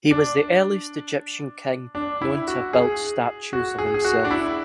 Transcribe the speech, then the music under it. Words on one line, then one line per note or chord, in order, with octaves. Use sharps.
He was the earliest Egyptian king known to have built statues of himself.
D4
D4
E4
F#4
G#4
F#4
G#4
G#4
F#4
D4
E4